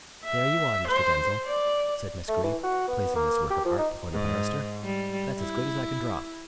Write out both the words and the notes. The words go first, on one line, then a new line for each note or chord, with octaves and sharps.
"There you are, Mr. Denzil," said Miss Greeb, placing this work of art before the barrister, "that's as good as I can draw."
E5
C5
D5
A3
E3
F#4
B3
A#3
G4
F3
D#4
G#2
G3
E4